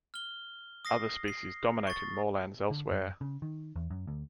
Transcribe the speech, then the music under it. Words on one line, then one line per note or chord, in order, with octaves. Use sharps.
Other species dominate in moorlands elsewhere.
F6 G7
D#6 A#6 C7
C7
C#6 A6
D3
F#2
C#3
D#3
E2
F#2
D2